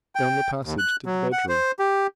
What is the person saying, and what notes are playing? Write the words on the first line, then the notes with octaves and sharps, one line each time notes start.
Down the passage to the bedroom.
G5
D#2
F#6
F#3
F#5
C5
G4